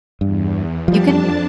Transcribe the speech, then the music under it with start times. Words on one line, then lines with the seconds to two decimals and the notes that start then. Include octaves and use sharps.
You can
0.21 E2 G2
0.88 F2 F3 G3 D4 A5